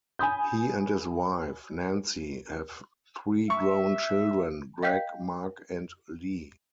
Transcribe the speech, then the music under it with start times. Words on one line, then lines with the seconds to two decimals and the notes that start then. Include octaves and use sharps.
He and his wife, Nancy, have three grown children, Greg, Mark and Lee.
0.19 G#5 B5 D#6 G6
3.50 E5 C#6
4.83 D#5 F5 G5 G6 B6